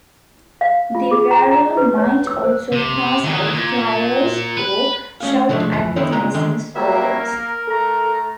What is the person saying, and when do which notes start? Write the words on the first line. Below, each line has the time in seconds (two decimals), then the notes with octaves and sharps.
The wearer might also pass out flyers or shout advertising slogans.
0.61 F5
0.95 F4
1.11 G#4
1.31 A#5
1.51 A#5
1.77 B4
1.98 C#5
2.27 E6
2.44 C5
2.72 C3
3.24 D#3 E3
3.54 A#2
4.57 B4
5.20 A3 C#4 F5
5.49 C3 F3 G#3 A3 D4
5.72 F2 E3
5.96 D3 D#3 B3 C4 D#4 E4
6.12 C#2 A#2 G#3 G5 A#5
6.34 D3 D#3 G#3 G5
6.75 F#3 G3 A#3 E5
7.18 A#4
7.68 A3 A4 A#5